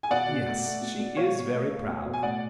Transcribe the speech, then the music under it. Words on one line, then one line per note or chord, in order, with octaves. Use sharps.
"Yes, she is very proud."
G#5
B2 D5 F#5
B2
A3
A3
B2
B2
B2 C#5 F5
B2
A3
A3
B2
B2
G#5
A2 D5 F#5